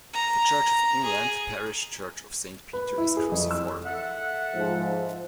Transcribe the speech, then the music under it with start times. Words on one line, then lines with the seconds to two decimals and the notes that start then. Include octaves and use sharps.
The Church of England parish church of Saint Peter is cruciform.
0.13 A#5
1.04 G#4
2.73 B4
2.98 E4
3.17 G#4
3.31 F2
3.51 E6
3.84 A4 E5 F#5
4.54 G#2 F3